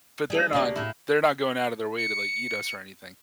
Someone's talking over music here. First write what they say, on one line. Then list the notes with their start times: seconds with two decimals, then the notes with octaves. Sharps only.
but they're not they're not going out of their way to, like, eat us or anything.
0.30 G3 G#4 A4
0.53 D2 C3 A#3 D5
0.76 A2 E4
1.97 C#7